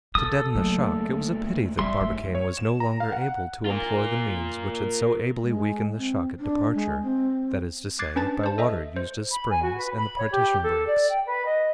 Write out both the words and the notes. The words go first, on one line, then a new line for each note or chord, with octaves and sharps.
To deaden the shock, it was a pity that Barbicane was no longer able to employ the means which had so ably weakened the shock at departure, that is to say, by water used as springs and the partition breaks.
B3 A4 D#6
C#2 F#3 A3 A#3
G3 B3 C#4 E5 C6
G2 A3 D#4 F4
C#5
E7
A#5
F5
F#5
F4 A#4
G#3
C4
D4
G#3
C4
D6 F#6 G#6 A6 C7
C#4 D4 B4 A5 A6
C5 A5
A4 D#5 E5
C5
B5
G#5
F#4
B4
B5
C#5
G4
A4
D5
G5
B4
D#5